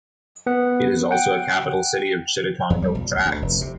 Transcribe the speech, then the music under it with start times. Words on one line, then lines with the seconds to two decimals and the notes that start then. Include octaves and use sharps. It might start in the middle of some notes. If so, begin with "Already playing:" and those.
It is also a Capital city of Chittagong Hill Tracts.
0.47 B3 F#5
1.11 F#5 G5
2.70 E2
2.82 G3
2.95 B1
3.11 D2
3.26 D2
3.42 F1
3.61 C3